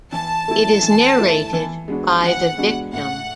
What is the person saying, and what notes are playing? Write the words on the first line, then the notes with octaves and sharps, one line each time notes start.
It is narrated by the victim.
E3 A5
A3 E4
E3
A3 E4
E3
G#3 B3 D4 F#4
E3 F#5
G#3 B3 D4 F#4
A2 F#5